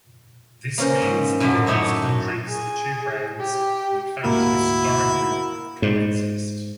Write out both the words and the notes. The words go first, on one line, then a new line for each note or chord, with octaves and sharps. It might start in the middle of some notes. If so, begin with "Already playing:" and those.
This means that in these countries the two brands in fact historically co-exist.
A#3 C#4 A#4 C5
G#2
F#2 A2 D3 F#3
A3 D4 D#4 C#5 E5
F#4
G#4
G4
D2 G#2 A#3 E4 F#4
G#2